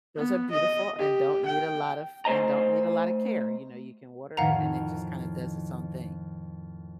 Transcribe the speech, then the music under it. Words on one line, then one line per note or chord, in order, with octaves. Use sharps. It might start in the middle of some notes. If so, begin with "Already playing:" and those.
those are beautiful and don't need a lot of and don't need a lotta care. You know, you can water it, and it just kinda does its own thing.
B3
D#5
G4
G5
A3 C5 D#5 A#5
F2 A2 D#3 F5 F#5 A#5